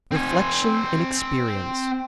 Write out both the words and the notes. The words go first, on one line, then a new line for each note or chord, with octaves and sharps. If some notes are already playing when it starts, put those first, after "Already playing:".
Reflection in Experience.
C4 G#5